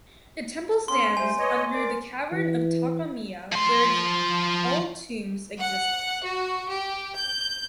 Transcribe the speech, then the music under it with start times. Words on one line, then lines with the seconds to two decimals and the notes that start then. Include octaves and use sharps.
The temple stands under the cavern of Takamiya where the old tombs existed.
0.88 B3 C#4 C6
1.17 G3 C5 E5 G#5
1.39 B4 C#5 D#5
1.74 A#4 D5 D6
2.32 E3
3.52 F3 C6
5.59 F#5
6.23 F#4
6.70 G4
7.16 G6